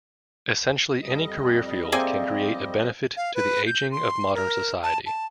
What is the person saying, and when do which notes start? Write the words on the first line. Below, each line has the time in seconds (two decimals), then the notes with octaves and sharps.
Essentially any career field can create a benefit to the aging of modern society.
1.03 F2 G3 D#5
1.92 A#3 C4 G#4 D5 E5 G#5
3.17 F5
3.35 B4
3.67 G6
3.91 C6
4.35 A#4
4.83 A5
5.06 A5